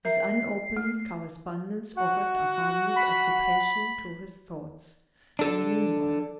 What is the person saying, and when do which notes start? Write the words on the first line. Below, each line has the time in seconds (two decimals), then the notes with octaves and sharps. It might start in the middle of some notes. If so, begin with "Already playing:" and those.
His unopened correspondence offered a harmless occupation to his thoughts, in the meanwhile.
0.05 A#4 E5 A#5 C7
0.77 A3
1.97 F#4 F#5
2.97 B5
5.39 D4 A4